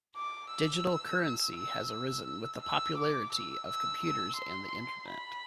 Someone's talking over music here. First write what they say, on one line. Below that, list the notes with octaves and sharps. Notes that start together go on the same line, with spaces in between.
Digital currency has arisen with the popularity of computers and the Internet.
D6
E6
E6
E6
E6
D6
E6
E6
E6
C6
B5